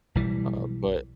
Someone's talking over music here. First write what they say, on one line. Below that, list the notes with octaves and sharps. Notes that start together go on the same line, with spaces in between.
uh, but
B1 E3 G3